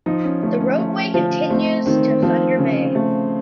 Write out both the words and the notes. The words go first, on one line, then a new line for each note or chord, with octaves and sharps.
The roadway continues to Thunder Bay.
F3 D#4
C#4
A3 C#4
C#4
A3
F3
A3 C4
D#3 C4
F3 C4
C#3
A3